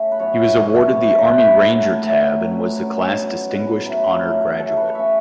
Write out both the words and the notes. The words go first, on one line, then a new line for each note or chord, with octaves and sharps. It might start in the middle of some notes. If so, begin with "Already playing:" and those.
He was awarded the Army Ranger tab and was the class Distinguished Honor Graduate.
Already playing: C#3 A3 C#4 E5
B4
F#2 E3 B3 C#5
E5
F#2 E3 B3 C#5
A2 E3 A3
A2 E3 A3 B4
A2 F#3 A3
A2 F#3 A3 E5
F#2 F#3 C#4
F#2 F#3 C#4
B2 F#3 B3
B2 F#3 B3 B4
A2 F#3 A3 C#4 B4
A2 F#3 A3 C#4
C#3 E3 A3 C#4 A4
B4
C#5
C#3 E3 A3 C#4 E5